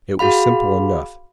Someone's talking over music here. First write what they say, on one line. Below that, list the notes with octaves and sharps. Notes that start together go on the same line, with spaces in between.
It was simple enough.
F#4 G#4 F5 B5